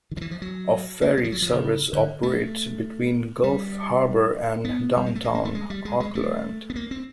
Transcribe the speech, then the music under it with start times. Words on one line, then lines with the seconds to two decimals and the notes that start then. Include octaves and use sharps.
A ferry service operates between Gulf Harbour and downtown Auckland.
0.11 D#3
0.17 F3
0.21 E3
0.31 F3
0.42 F#3
1.02 A#3
1.17 G#3
1.24 F3
1.32 F#3
1.42 F3
1.52 C#3
1.93 D3
2.23 A3
3.44 G3
4.65 B3
4.97 G3
5.06 G#3
5.15 A3
5.24 A#3
5.35 A#3
5.45 A3
5.55 G#3
5.70 G3
5.85 G#3
6.00 G#3
6.15 A3
6.70 B3
6.76 A#3
6.91 C4